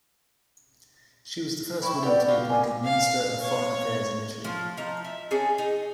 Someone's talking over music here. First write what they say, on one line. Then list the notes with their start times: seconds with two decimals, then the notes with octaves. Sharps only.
She was the first woman to be appointed Minister of Foreign Affairs in Italy.
1.83 E4 E5 G5 B5 C#6
2.03 G4 A4 B4 D5 F#5 G5
2.28 F4 B4
2.47 A#4 G#5 D6
2.84 F5
3.42 C#5
4.44 F3
4.77 F3 D#4 A#5
5.04 E5
5.31 C#4 D#4 G#4 A4
5.58 D#4